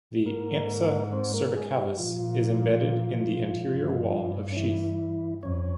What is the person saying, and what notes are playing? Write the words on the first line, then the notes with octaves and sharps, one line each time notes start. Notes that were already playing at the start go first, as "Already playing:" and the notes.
The ansa cervicalis is embedded in the anterior wall of sheath.
G#2 A#3 A#4
C4 C5
A#3 A#4
G#3 G#4
G3 G4
A#2 F3 F4
G2
C#4
E3 E4
F2 C#4 C#5